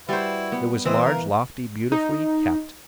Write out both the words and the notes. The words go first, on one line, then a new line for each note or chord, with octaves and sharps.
It was large, lofty, beautifully kept.
G3 E4 F#4 B4 C5
B3
E3 C4 D#5 E6
A#4 F5
D#4